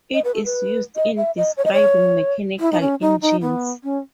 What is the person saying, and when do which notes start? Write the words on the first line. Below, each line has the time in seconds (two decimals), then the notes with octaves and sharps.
It is used in describing mechanical engines.
0.14 D#5
0.24 B4
0.34 A4
0.45 B4
0.96 D#5
1.17 E5
1.37 D#5
1.57 C#5
1.65 D#5
1.73 C#5
2.60 E4
2.72 D#4
2.81 C#4
3.01 D#4
3.22 D#4
3.42 B3
3.83 C#4